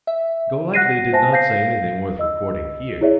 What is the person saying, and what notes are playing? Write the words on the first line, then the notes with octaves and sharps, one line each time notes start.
Golightly did not say anything worth recording here.
E5
F#5 F#6 A#6 C7 D#7
C5 E5 G#5 A5 A#6
F5 G6 A#6 C7
D#5 E6
E4 G#4 C#5 D5 E5